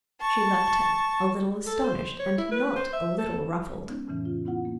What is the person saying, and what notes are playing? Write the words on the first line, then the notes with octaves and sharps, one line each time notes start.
She left him, a little astonished and not a little ruffled.
A5 C#6
A4
C5
C#5
E4
B4
C5
E5
A4
G#3
B3 C#4 D#4
F2 A2 C#3 E3 C#4
F4
B3 E4 F4 F#5
A#3